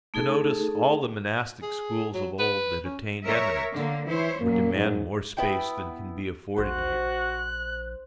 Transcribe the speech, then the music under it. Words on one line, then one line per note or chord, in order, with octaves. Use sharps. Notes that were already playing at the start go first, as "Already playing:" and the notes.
To notice all the monastic schools of old that attained eminence would demand more space than can be afforded here.
A3 D#4 G#4 A4
G#4
F#3
B4
C#4
A#4 C#5 E5
D3 A#3
E3 E4 C5 C#5
F#2 A#2 F#3 A#3
G#2
B3 E4 G5
A#1 F#4 C5 F#6